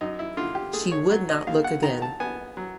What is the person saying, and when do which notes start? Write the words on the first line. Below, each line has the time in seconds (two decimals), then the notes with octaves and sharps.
She would not look again.
0.01 F#2 D#4
0.19 E4
0.37 D3 F4
0.55 G4
0.73 A3 G#4
0.92 C#5
1.10 F#3
1.29 D#5
1.47 D#2 F5
1.64 F#5
1.83 D#3 A#5
2.02 A5
2.20 B3 G#5
2.57 F#3